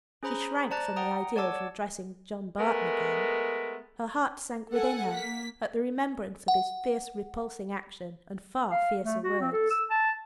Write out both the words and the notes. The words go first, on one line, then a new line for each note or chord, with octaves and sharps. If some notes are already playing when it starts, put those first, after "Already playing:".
She shrank from the idea of addressing John Barton again; her heart sank within her, at the remembrance of his fierce repulsing action, and far fiercer words.
C#4 G#4 C5 A#5 B5
C5 D5 A5 A#5 F#6 A6
F#5 G5 A#5 D#6
C#5 D5 F#5 A5 D6 E6
G#3 A3 B3 A#4
A4 F#5 G#5
A#3 B6
F#5
F5
A3
F#4
C4
A4
E6
A5